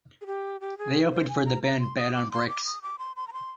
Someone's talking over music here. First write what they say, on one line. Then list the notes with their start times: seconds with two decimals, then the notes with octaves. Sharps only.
They opened for the band Bed on Bricks.
0.21 G#4
0.26 G4
0.61 G4
0.78 G#4
1.12 C5
1.28 G#5
1.46 A#5
1.63 A#5
1.80 C6
1.97 D#6
2.14 D6
2.31 C6
2.48 D6
2.65 D#6
2.82 D6
2.99 C6
3.16 C6
3.27 A#5
3.33 C6